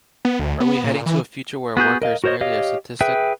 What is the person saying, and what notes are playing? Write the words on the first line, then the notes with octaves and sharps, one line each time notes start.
Are we heading to a future where a worker is merely a statistic?
B3
D2
B3
A#2
E3
B3 F#4 G#4 G6
A#4 D#5 F5
F#4 A#4 C5 C#5 D#5
G4 C#5 D#5 F5
G#4 B4 E5 G5